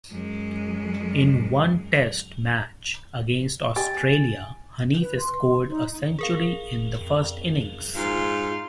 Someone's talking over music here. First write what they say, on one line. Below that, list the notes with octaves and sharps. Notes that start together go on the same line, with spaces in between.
In one Test match against Australia, Hanif scored a century in the first innings.
F#2 G#3
G4 D#5 G#5 A6
B4
C6
D#4
G#4 A#4 F5
F2
G#2 F4